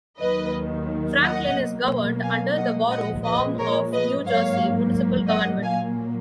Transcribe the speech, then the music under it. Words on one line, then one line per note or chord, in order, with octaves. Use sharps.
Franklin is governed under the Borough form of New Jersey municipal government.
D#2 D#3 F#3 B4 D#5
D#5 F#5
B2 F#3 A#3
F5 G#5
D#5 F#5
A#2 F3 G#3 D#5 F#5
B4 D#5
A#4 C#5
B4 D#5
G#2 F#3 A#3 C#5 F5
D#5 F#5
A#2 F#3 A#3 F5 G#5